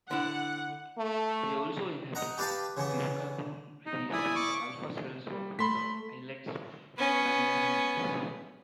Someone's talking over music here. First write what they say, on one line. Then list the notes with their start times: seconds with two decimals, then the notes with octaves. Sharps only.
They also inhibit glucagon release from the alpha cells of the islets of Langerhans.
0.11 D3 E4 F#5
0.98 A3
2.15 D#4 D#5 F#5 A#5
2.38 G4 B4 D5 F5 G5 A5
2.77 C#3 E3 B3
3.86 D#4
4.13 E4 D5 E5 G#5 D#6
4.35 C#6 D6
5.31 G3
5.59 A3 B5 C6 B6
6.98 B3 C#4